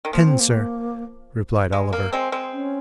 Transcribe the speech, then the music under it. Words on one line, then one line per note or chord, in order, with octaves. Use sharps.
'Ten, sir,' replied Oliver.
D#3
F3 A#3
C4
A#3
G#3
A#3
G#3 C4
G#3 C4
C#4